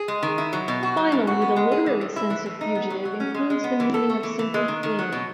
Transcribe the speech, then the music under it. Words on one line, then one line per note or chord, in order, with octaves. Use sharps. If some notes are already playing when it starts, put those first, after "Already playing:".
Finally, the literary sense of "fugitive" includes the meaning of simply "fleeing".
Already playing: G#4
G#3
D#3
E4
F#3
B2
F#4
F#3
A2
F#4
B3
G#3
G#4
E3
A2
E4
E3
A2
D#4
B3
F#3
F#3
C#4
G#3
G#3
B3
E3
A4
A3
E3
E3
G#3
D#3
D#3
F#3
B2